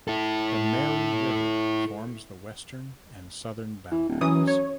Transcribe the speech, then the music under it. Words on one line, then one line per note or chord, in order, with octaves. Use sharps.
The "Mary River" forms the western and southern boundaries.
E4 A4
E3
D1
F#2 E3 D#6
C#5